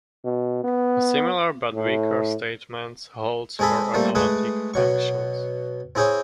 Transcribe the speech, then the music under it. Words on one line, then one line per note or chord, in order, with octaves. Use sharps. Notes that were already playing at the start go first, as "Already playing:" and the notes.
A similar but weaker statement holds for analytic functions.
B2
B3
A2
G#3 C4 G#4 A4 B5
G3 A3 A#3 C4
G#3 A3 G#4 B4
B2 F#3 C#6
C4 E4 G#4 C5 C#5